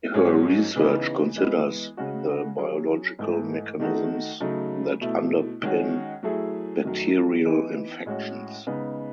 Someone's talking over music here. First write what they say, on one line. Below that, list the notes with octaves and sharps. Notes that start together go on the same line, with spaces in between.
Her research considers the biological mechanisms that underpin bacterial infections.
G#2 F#3 C#4 G#4
C#3 E3 B3 D#4
E3 G#3 B3
C#3 G#3 C#4 F#4
F#3 C#4 G#4
G#2 E3 A3
D#3 A3 D#4 F#4
C#3 F#3 A3 D#4
B2 A3 E4
D#3 G#3 C#4 F#4
F#3 A3 E4 G#4
F#2 D#3 F#3 A3
E3 B3 D#4
A2 G#3 C#4 F#4
C#3 G#3 B3 D#4